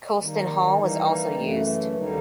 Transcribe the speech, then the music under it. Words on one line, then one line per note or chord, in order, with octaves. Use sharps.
Colston Hall was also used.
D#3 G3 A#3 D#4
E3 G3 A#3 D#4
F#2 C#3 E3 A3
D#2 D3 G3 A#3 D#4